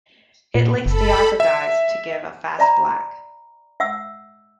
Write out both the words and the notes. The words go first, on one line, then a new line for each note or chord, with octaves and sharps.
It links diazo dyes to give a fast black.
A#2
F#1 A4 B5
E5
D5 E5 A#5 B5
E5 F#5 E6